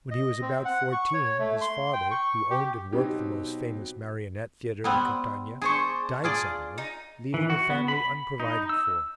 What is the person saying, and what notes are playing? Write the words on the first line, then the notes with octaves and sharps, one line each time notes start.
When he was about fourteen his father, who owned and worked the most famous marionette theatre in Catania, died suddenly, leaving the family unprovided for.
D#5
C4
F#5
C#6
C#5
A3
C6
G5
C#6
G4
B2 F#3 B3 C4 D#4 G4
G3 B3 C4
D4 G#4 C5 C#6
F4 G#4 D5
D#4
E3
F#4
B3
B5
D#4
E6